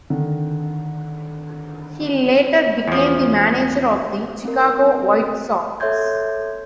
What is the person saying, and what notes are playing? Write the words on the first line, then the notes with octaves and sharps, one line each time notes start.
He later became the manager of the Chicago White Sox.
D3 D#3
E2 F3
C4 A#4
A4 C#5 E5 C6 G6 G#6